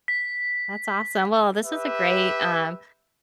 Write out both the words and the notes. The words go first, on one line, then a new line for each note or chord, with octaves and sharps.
That's awesome. Well, this is a great, um,
B6
G4 B4 E5